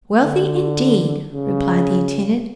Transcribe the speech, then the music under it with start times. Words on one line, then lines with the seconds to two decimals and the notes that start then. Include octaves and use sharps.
"Wealthy, indeed!" replied the intendant.
0.23 D3
1.32 C#3